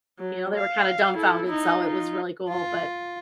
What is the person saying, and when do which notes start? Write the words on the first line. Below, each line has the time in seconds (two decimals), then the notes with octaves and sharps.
You know, they were kinda dumbfounded, so, it was really cool. But
0.19 F#3
0.56 F5
1.14 E4 A4
1.47 D#4 E4
1.78 D#4 F4
2.49 F4